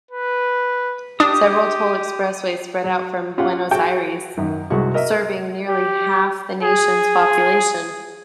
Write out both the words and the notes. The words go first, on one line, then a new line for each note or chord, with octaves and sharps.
Several toll expressways spread out from Buenos Aires, serving nearly half the nation's population.
B4
D4 G4 D#6
F#3
C#4 F4 G4 F#5
F#4 G#4 G5 A5 C#6
F#2 D#3
C2 G#3 F#4 C#6
A#4 D#5 E5
G4
G#4